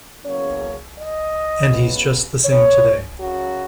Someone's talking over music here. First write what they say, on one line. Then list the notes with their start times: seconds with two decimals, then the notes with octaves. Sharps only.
And he's just the same today.
0.24 E2 C#3 F#3 A#3 C#4 C#5
0.97 D#5
1.71 C#3 F#3 B3
2.45 C#5
3.18 F#2 C#3 F#3 F#4